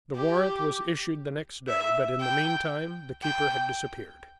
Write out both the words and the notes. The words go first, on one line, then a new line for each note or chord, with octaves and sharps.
The warrant was issued the next day, but in the meantime the keeper had disappeared.
G4
E5
G5
G5